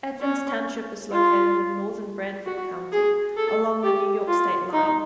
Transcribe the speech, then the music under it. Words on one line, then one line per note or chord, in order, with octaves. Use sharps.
Athens Township is located in northern Bradford County, along the New York state line.
C#4
F4
F#4
G#4
A4
G4
F4
D#4